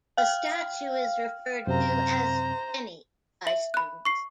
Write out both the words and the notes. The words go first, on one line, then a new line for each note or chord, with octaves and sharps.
The statue is referred to as "Benny" by students.
F5 G5 F6
F#2 C3 C4 C5 A#5
E5 F#7
B5 F#6
C#6 C7